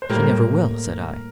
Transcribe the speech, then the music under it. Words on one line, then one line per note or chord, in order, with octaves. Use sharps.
"She never will," said I.
C5
A2 G3 A#3 A#4